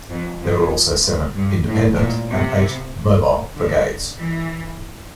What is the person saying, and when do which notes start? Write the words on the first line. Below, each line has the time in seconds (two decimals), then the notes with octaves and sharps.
There were also seven "independent" and eight "mobile" brigades.
0.10 F2
0.42 F2
1.36 G2
1.67 A2
1.99 A#2
2.29 C3
3.56 D3
4.19 E3